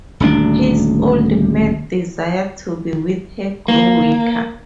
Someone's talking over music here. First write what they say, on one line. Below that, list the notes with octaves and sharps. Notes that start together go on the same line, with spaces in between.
His old mad desire to be with her grew weaker.
D#1 D2 D4
A#3